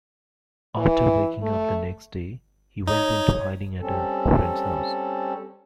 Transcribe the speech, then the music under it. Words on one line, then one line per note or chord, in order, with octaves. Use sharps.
After waking up the next day, he went into hiding at a friend's house.
E3
A3
D#4 C#5
G3 C4 C#4 A4